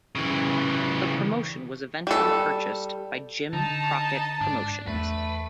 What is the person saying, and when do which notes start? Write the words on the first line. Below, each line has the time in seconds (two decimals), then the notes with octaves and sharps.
The promotion was eventually purchased by Jim Crockett Promotions.
0.15 C#3 E3
2.07 G3 A4
3.53 D3 D#4 A5
4.41 G#2 D4
4.87 E2 A3 B4